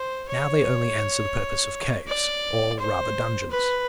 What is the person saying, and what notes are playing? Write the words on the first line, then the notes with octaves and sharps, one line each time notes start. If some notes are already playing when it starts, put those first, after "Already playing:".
Now they only answer the purpose of caves, or rather dungeons.
Already playing: C5
C#5
D5
C5
B4